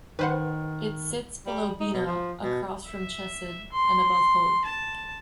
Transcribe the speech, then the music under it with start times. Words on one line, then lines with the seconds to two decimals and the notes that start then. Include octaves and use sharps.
It sits below Binah, across from Chesed, and above Hod.
0.19 D#3 B4 C5 F#5
1.46 G3
1.80 D#4
1.93 B2
2.07 F3
2.43 B2
2.86 E5
3.72 C6
4.65 A5